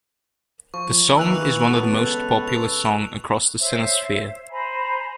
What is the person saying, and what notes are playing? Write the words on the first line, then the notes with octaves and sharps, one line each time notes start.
The song is one of the most popular song across the Sinosphere.
F3 C#6
D#3 E3 A#3 B4 E6 F#6 F7
C#2 B3 A4 B4
F7
C5 C#5 E5
C5 G#5 A#5 B5